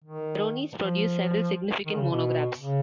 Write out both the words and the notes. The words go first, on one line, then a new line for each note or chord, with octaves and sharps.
Veronese produced several significant monographs.
D#3
F3
D#3
C#3
B2
C#3